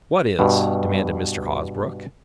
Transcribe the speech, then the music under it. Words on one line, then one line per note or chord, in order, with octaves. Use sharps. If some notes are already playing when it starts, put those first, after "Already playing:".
"What is?" demanded Mr. Hosbrook.
G2 B2